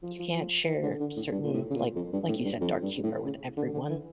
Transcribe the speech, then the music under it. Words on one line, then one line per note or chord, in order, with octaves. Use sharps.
you can't share certain, like like you said, dark humor with everyone,
F3
F3
F3
E3
D3
D3
A2
G2
A#2
A2
C#3
A#2
F2
G2
A2
G2
F2
G2
A2
C#3
D3
D3
E3